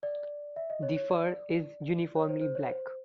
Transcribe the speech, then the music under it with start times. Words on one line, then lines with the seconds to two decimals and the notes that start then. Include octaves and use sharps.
The fur is uniformly black.
0.03 D5
0.56 E5
0.70 D#5
0.83 C#5
0.96 C#5
1.10 D5
2.16 C#5
2.29 C5
2.41 C5
2.55 C#5
2.68 C5